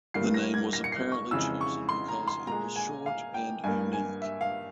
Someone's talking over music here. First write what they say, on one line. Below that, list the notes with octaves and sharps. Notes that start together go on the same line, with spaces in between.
The name was apparently chosen because it was short and unique.
G2 E3 G3 A#3 C7
A#6
G#6
A#6
C#7
C7
C#6
F2 C#3 E3 G#3 E6
C#6
C6
A#5
C6
A#2 G#3 A#5
G#5
F5
G5
G2 G3 A#3 G#5
G#5
E5
F5